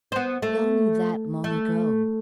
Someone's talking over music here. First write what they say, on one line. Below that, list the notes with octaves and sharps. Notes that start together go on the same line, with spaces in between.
'We all knew that long ago.'
B3 C5
A3
A3